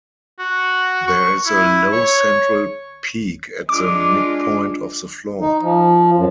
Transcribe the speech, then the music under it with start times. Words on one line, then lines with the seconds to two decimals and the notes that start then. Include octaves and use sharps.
There is a low central peak at the midpoint of the floor.
0.39 F#4
1.08 C#6
1.46 E4
1.92 C#5
3.69 G#3 D4 F4 D6
5.41 D#4
5.62 F3
6.16 F#2